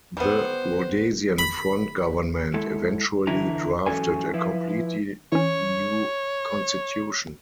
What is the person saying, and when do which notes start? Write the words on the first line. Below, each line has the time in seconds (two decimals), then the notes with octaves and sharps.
The Rhodesian Front government eventually drafted a completely new constitution.
0.17 G3 B3 C5
1.39 B5
2.54 G#3 E4 A4
3.27 D3 E3 E4 A#5
3.86 G#2 E3 F#3 C#4 A4 G#5
4.33 F3 E4 B4
5.32 E3 C#4 C#5